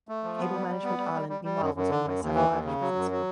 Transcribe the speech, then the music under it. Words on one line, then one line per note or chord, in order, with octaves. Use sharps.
Cable Management Ireland meanwhile was owned by several Irish businessmen.
A3
F3
B3
G3
G3
B3
G3
G3
G3
G3
F#2
F#2
D3
F#2
D#2
E3
D#2
C#3
F#3
F#2
F#3